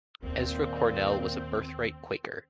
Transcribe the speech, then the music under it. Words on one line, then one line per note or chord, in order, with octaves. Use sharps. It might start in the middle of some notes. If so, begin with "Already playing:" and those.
Ezra Cornell was a birthright Quaker.
D#2 A#2 C4